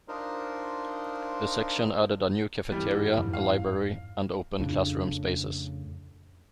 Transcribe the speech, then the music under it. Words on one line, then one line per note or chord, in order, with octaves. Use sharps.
The section added a new cafeteria, a library, and open classroom spaces.
D4 D#4 F4 A#4 C5
G2 E3 G3 C#4
F2 G#2
F5
F2 A2 C#3 D4